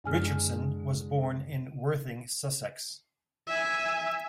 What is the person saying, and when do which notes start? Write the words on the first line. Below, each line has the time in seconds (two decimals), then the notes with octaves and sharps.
Richardson was born in Worthing, Sussex.
0.04 F#2 D3 G#3 G#5 F6
3.47 E5 G#5